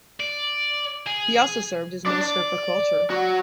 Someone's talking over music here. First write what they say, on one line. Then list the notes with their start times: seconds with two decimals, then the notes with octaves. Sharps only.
He also served as Minister for Culture.
0.20 D5
1.07 G#4
2.06 D4 D5
2.22 D5
3.10 F#3 F#4